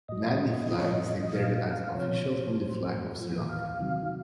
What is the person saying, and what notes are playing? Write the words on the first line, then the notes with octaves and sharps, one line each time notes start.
Nandi flag is declared as the official Hindu flag of Sri Lanka.
A2 F#3 D#5
A2 F3 D#5
C#5
D#5
A#2 F#3 F5
C3 F3 C#5
C5
A2 F#3
A2 F3
F5
C3 D#3 F#3